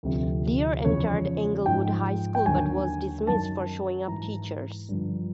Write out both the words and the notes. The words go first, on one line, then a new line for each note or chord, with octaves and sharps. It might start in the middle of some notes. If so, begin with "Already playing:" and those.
Lear entered Englewood High School but was dismissed for showing up teachers.
D2 C3 F3
E2 C#3 F3 C#5
G#2 F3 G5
G5
D#2 D3 F#3 G#5
F#2 D#3 F#3 A5
G#2 E3 A#5
G2 D3 F3